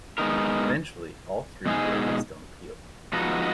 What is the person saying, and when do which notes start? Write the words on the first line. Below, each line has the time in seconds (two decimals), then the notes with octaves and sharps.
Eventually, all three were released on appeal.
0.18 G#3 B3 D#4 A#4
1.66 B2 G#3 D#4 G#4
3.13 F3 G#3 B3 D#4 F#4